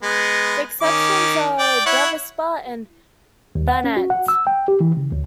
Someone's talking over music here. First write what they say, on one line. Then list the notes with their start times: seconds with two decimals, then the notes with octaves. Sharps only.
The exceptions are Drvaspa and Vanant.
0.03 G#3 B3
0.82 D#3 C#4 D6
1.59 D5 G5
1.86 E4 C#5 F#5
3.55 D#2
3.68 F#5
3.84 C#4
3.97 F#4
4.10 F#5
4.28 E6
4.47 G5
4.68 G4
4.80 E3
4.97 C#3
5.12 D2